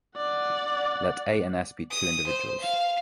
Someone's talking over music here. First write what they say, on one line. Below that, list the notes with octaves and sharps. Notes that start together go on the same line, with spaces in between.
Let "a" and "s" be two individuals.
D5 F#5
D#6
C5
F5